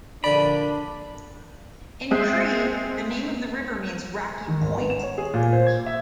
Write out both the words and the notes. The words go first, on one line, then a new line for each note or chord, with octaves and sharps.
In Cree the name of the river means "rocky point".
A#1 D3 D4 D5 B5
G#3 C4 E5
D#3
G#1
B3
E7
C#5
G#4
A#2
C5
G#6
E5